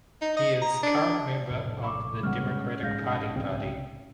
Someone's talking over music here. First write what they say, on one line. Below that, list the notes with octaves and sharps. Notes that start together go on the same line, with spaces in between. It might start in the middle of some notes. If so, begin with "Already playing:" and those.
He is current member of the Democratic Party party.
D#4
D#5
A#5
D4
F1 A#1 A2
E5 B5 C#6 D6
C#3 G3 G#3 B3 F#5 C#6 F6
A#1 G#2 G#3 F5 G6 A#6
C2 C#3 C4 G5